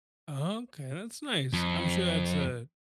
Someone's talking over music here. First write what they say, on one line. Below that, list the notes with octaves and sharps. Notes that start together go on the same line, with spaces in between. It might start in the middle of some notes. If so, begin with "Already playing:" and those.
Okay, that's nice. I'm sure that's, uh,
F2